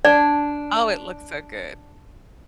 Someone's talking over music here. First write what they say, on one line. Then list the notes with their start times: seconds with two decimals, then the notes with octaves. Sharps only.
Oh, it looks so good.
0.05 D4 D5